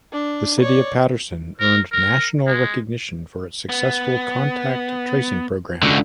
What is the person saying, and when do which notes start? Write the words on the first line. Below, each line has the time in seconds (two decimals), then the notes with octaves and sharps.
The City of Paterson earned national recognition for its successful contact tracing program.
0.13 D4
0.61 C#5 D5
1.60 A#4
1.92 A#4
2.47 G#3
3.69 B3
5.83 C#2 D3 F#4